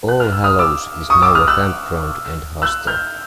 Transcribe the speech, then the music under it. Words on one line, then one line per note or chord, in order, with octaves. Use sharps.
All Hallows is now a campground and hostel.
F#6
F6
E6
D#6 F6
D6 E6
C#6 D#6
D6 E6
D#6 F6
E6 F#6
E6 F#6
F6 G6